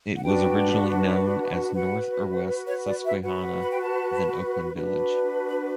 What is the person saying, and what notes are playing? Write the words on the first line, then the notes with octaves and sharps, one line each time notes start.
It was originally known as North or West Susquehanna, then Oakland village.
F#5
D4 F#4 B4 G5
F#4 B4 F#5
C#5
D5
E5
F#4 B4 F#5
B5
G5
A5
D4 F#4 B4
B5